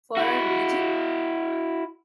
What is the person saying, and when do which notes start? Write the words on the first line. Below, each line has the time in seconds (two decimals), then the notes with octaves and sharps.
For our region?
0.17 E4 F#4